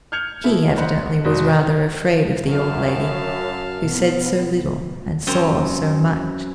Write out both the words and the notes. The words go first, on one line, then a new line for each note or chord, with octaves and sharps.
She evidently was rather afraid of the old lady, who said so little and saw so much.
F6 G6 G#6 C#7 F7
B2 A3 E4
B4 C5 D5 D#5 F#5 A#5
F1 G#2 F#4 D5 C6 D#6
F#2 F5 A5
B2 B3
F#2 C4 A#5